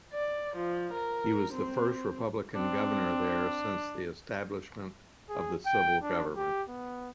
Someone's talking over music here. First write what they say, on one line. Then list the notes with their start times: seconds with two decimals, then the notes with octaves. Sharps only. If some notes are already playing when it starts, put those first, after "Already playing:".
He was the first Republican governor there since the establishment of the civil government.
0.13 D5
0.56 F3
0.93 A#4
1.54 C4
2.55 C4 D4
5.29 G#4
5.66 G5
6.03 D4
6.37 G4
6.68 B3